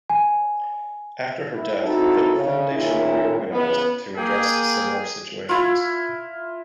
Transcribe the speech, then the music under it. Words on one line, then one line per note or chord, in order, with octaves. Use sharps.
After her death, the foundation reorganized to address similar situations.
G#5
E4
C4 D#4 E4 F#4 A4
C#3
A#2 D#3 C#4 E4 G#4
C#3 E3 B3
A#3 G#4 G5
E4 F4